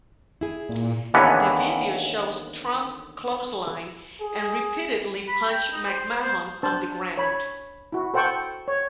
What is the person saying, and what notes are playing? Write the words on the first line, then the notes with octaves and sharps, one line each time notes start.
The video shows Trump clothesline and repeatedly punch McMahon on the ground.
E4 G#4
A#2
D#2 D3 E3 B3 C#4
G#4
B5
G5
D#4
C5
C5
D4 C5 A5
C#5 B5
E4 F#4
A4 C5 F#5 G5 A5 C#6
C#5